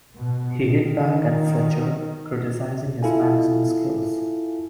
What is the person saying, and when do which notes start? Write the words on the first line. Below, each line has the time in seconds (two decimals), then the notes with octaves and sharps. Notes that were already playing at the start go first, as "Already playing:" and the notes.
He hit back at Fletcher, criticising his management skills.
0.15 B2
0.68 D#3
3.03 E4 F4 A4 F5 G#5